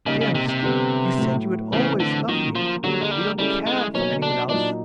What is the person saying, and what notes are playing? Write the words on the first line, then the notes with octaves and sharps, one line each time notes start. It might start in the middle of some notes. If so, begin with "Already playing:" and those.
Dearest, you said you would always love me--you don't care for anyone else.
C#3 G3 A#3 D#4
C#3
C3
C3
D3 G3 B3
A2 F#3 A3
C#3 E3 A3 C4
D3
D#3 F#3 A#3 C#4 F4
F3
D3 F#3 G3 A#3
G#3
G3
G3 G#3 C#4 E4 A4
G#3
B2 F#3 A#3 C#4 D#4
D4
A#2 F#3 A#3 D4 D#4